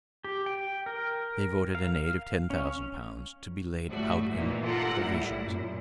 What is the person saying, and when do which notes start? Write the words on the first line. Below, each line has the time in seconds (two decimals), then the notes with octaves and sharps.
They voted an aid of ten thousand pounds, to be laid out in provisions.
0.24 G4
0.46 G5
0.86 A#4
1.75 F5
2.50 C#4
3.91 G1 A2 G3 A3 F#4
4.34 A#2 D#3 E3 A#3
4.64 F4 G4 A4 A#4 F#5
5.00 A2 G3 E4
5.45 F#2 A#2